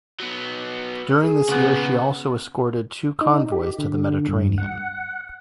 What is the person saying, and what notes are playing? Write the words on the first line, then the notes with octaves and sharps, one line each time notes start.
During this year she also escorted two convoys to the Mediterranean.
F#3 B3
G#4
A#2 C#3 B3 F#4
D#4
G4
D3
G2
F#5